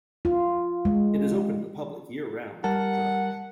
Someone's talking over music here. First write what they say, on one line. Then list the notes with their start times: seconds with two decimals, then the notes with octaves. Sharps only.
It is open to the public year-round without charge.
0.25 F4
0.85 G#3
2.64 G3 A#4 F#5 A5